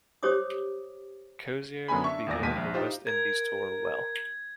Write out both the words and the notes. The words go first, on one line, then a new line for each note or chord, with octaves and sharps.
Cosier began the West Indies tour well.
G4 C5 C#5 D6 D#6
F#2 D3 B3 C#4 G#5 B5
D4 E5 C#6
G#1 E2 A#2 D5 A#6
D#2 G#3 A#3 B6 D#7
A#1
D#4 F4 G4 C5
A#4 G#6